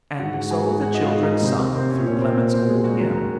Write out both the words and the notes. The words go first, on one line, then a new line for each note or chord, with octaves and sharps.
And so the children sung through Clement's old hymn.
G#2 F#4 F#5
F#4 F#5
G#4 G#5
F#4 F#5
F#4 F#5
D#5
F4 F5
D#4 D#5
C3 C4 C5
A#3 A#4
C4 C5
C#4 C#5
A#2 C#4 C#5
C4 C5
A#3 A#4
C4 C5
G#3 G#4
F#3 F#4
C#4
D#3 D#4
D#3 D#4